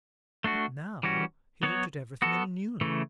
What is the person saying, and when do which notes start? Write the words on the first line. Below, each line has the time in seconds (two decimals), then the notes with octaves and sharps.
But now he looked at everything in a new light.
0.44 A3 D4 F#4
1.03 E3 G3 C#4 F#4
1.63 F#3 B3 F#4 C#5
2.22 B3 F#4 A4
2.81 C#3 E3 A3